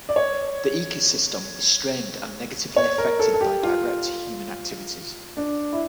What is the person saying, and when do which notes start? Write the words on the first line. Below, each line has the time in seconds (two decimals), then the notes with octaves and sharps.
The ecosystem is strained and negatively affected by direct human activities.
0.09 D5
0.16 C#5
2.76 C#5
2.98 A#4
3.19 A4
3.34 A4
3.41 G4
3.63 F4
5.37 D4
5.73 E4